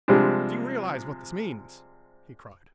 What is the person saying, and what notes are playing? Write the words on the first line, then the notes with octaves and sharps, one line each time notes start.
"Do you realize what this means?" he cried.
C3 F3 G3 G#3 D4